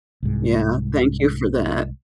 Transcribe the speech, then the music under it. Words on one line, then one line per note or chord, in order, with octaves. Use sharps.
Yeah. Thank you for that.
C2 G#2